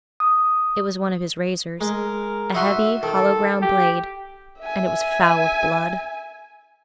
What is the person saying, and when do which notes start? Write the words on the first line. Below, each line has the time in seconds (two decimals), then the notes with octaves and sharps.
It was one of his razors--a heavy hollow-ground blade--and it was foul with blood.
0.20 D#6
1.81 G#3 A#4
2.55 D#4 F#4 E5 C6
3.03 D#3 A4
3.62 G4
4.60 E5 G#5